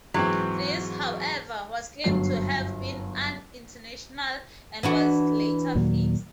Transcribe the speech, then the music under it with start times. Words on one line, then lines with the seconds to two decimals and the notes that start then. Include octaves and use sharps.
This, however, was claimed to have been unintentional, and was later fixed.
0.14 G#2 E3 F#3 C4
2.04 G1 F#2 F#3 C#5 C7
4.83 E3 D4 F#4
5.75 D#2 A#2 F#3